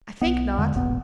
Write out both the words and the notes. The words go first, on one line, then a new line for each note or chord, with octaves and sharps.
"I think not."
B1 B3
E2 D3 G#3
E1 A1 A#2 B3